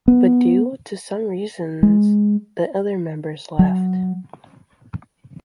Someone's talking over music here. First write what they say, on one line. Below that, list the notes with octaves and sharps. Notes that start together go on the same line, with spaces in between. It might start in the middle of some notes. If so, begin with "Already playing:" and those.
But due to some reasons the other members left.
B3
G#3
F#3